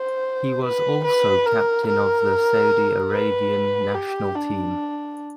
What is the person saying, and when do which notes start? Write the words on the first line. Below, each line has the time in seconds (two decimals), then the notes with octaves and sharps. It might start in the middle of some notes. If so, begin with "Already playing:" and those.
He was also captain of the Saudi Arabian national team.
Already playing: C5
0.64 B4
1.05 B4
1.46 A#4
1.87 A#4
3.11 B4
3.94 G4
4.35 D4